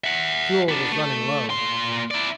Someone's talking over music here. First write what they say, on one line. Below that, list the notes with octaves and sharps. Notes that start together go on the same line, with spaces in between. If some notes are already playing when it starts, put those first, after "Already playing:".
Fuel was running low.
E5 F#5
B3 D4
A3
A#2 C6
E4 D5